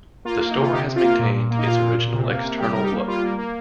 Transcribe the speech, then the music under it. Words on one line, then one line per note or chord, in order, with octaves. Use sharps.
The store has maintained its original external look.
A#3 F4
A#3
D#4
C3 F4
C3 D#4 G4
C3
F4
A#3
A#2
A#2
A#3
D#4
A#2 F4
A#2
A#2
C3
A#3
C3
G3 G4
G3 A#4
D#4 G4
A#3
G3 F4
A#3
A#3